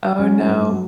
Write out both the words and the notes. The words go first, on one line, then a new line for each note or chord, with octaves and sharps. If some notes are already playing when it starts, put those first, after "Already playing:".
Oh, no.
F#3 C#4
G2
F#3